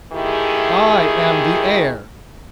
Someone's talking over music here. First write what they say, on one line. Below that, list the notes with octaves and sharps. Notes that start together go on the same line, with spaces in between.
"I am the heir."
D#3 A3 E4 G4 G#4